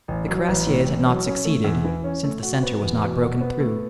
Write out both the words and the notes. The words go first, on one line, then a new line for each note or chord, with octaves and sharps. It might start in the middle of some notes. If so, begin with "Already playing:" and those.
The cuirassiers had not succeeded, since the centre was not broken through.
A1
F#3
A1
A2
A1
F#3
C#4
A3
E2
E3
C#4
A3
F#4
B3
E2
B2
F#4
B3
A3